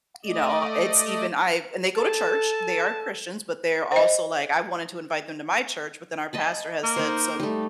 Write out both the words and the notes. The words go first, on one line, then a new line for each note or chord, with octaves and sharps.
you know, it's even I've and they go to church, they are Christians, but they're also like, "I wanted to invite them to my church, but then our pastor has said some
A3 D5 D#5
A4 A5
C5 D#5
D#5 A5 B5
A#3
D#4 C5
G3 A3